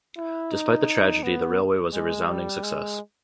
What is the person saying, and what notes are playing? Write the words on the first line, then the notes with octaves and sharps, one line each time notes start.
Despite the tragedy the railway was a resounding success.
E4
D#4
B3
G#3
G3
G#3